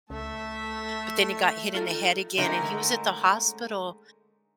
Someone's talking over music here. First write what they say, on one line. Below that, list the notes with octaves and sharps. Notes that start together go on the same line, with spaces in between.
but then he got hit in the head again and he was at the hospital
C#2 A3 A4 E5
D#4 F4 A4
D3 G#3 A3 C#4 D#4 A#4